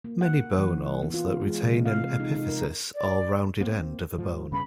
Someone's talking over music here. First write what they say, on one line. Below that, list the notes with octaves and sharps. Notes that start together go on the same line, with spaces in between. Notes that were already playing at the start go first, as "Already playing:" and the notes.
Many bone awls that retain an epiphysis, or rounded end of a bone.
A#3
F#5
E3
B3
F4
G#3
C3
F5
D#4
D#4
A#4
D5
A#3 C4
G#2 F3
G2 C#3 B3 B5